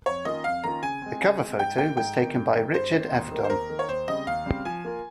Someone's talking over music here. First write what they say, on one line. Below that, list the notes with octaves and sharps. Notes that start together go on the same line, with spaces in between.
The cover photo was taken by Richard Avedon.
F2 C#5
D#3 A#3 C#4 F4 D#5
F2 F5
D#3 A#3 C#4 F4 A#5
C#3 G#5
G#3 C4
C#3
G#3 C4
G#2 G5
D#3 A#3 G5
G#2 G5
D#3 A#3
G2
D#3 A#3
G2 C5
D#3 A#3
D#2
D#3 A#3
C5
D#2 A#4
D#3 A#3
C#5
D#2 C5
C#3 G3 C4 D#5
D#2 F5
C#3 G3 C4
F3 G#5
A#3 F4 A#4